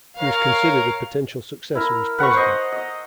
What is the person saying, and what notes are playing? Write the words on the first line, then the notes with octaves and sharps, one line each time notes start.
He was considered a potential successor as President.
A#4 C#5 F5
E4 A#4
B4 F#5 A#5 C#6
C5 D#5
D#5